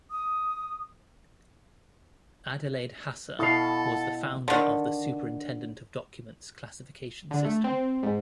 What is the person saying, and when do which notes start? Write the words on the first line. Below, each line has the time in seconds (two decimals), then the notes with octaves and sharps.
Adelaide Hasse was the founder of the Superintendent of Documents classification system.
0.11 D#6
3.39 B2 E4 A4 F5
4.48 D3 D#3
7.31 D3
7.45 A3
7.64 C4
8.03 G#2